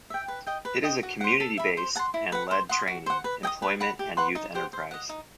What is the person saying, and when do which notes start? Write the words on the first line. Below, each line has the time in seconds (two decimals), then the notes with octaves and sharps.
It is a community-based and led training, employment and youth enterprise.
0.10 E5 G5
0.28 B4
0.47 D#5 G5
0.65 B4
0.83 D#5 G5 D#6
1.03 F#4
1.21 C5 F#5
1.40 A4
1.57 E5 B5
1.77 C5
1.95 F#5 A5
1.99 C6
2.14 E4
2.32 B4 F#5
2.51 C5
2.69 F#5 C6 D#6
2.87 F#4
3.06 C5 F#5
3.24 B4
3.43 D#5 G5 D#6
3.62 B4
3.80 F#5 B5
3.99 G4
4.17 B4 F#5 C6
4.35 D#4
4.55 G4 C5 F#5
4.73 C5
4.91 D#5 F#5
5.09 D#4